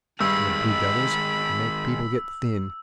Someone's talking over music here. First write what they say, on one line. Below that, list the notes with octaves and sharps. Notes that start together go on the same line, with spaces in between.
And the blue devils make people get thin.
G2 D#3 G#3 B5 E6